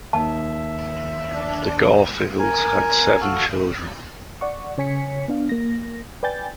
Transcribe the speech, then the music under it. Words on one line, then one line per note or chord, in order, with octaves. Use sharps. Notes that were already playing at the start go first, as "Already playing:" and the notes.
The Garfields had seven children.
D#2 E5 A5
D4
A#4 G#5
F#4 A4 F5
D5 F#5 C#6
C#3 C#5 G#5 B6 C#7
B3 D4 F5
A#3 A#6
B4 D5 G5 G#5 G6 A6